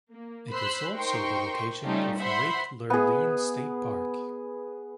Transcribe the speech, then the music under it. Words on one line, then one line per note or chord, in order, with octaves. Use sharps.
It is also the location of Lake Lurleen State Park.
A#3
C5 B5 C6 E6 F#6
D#4 A#4 C5 G5 C6 C#6
G3 A3 C#4 D#4 F4 G4
C5 E5 F#5 B5 C6
B3 G#4